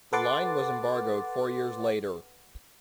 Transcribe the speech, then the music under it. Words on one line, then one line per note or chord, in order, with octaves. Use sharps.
The line was embargoed four years later.
A4 B4 F#5 C6 D6 A6